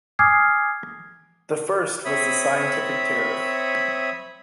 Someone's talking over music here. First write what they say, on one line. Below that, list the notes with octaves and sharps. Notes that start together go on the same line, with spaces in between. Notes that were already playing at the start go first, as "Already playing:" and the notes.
The first was the "scientific tariff".
G#5 D6 D#6 F6 G#6 C7
C4 C#5 E5 B5 D#6